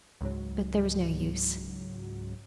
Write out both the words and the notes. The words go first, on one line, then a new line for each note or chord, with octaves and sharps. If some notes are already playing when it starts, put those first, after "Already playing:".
But there was no use.
C#2 G#2 F#3